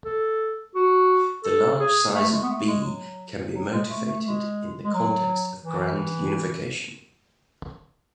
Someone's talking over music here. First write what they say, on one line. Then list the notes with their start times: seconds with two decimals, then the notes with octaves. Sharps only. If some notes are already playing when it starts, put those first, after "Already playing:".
The large size of "B" can be motivated in the context of grand unification.
0.05 A4
0.75 F#4
1.44 A4
1.80 G#4
2.15 A3
2.32 G#3
2.42 B3
2.50 A3
2.67 G#3
2.84 F#3
3.54 F#3
3.71 G#3
3.89 A3
4.06 A3
4.24 G#3
4.84 G#3
4.94 F#3
5.63 E3